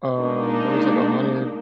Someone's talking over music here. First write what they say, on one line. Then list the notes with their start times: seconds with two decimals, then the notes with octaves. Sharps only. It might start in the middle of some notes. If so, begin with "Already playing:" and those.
um, there was like a haunted
0.18 G#3 A#3 D4 D#4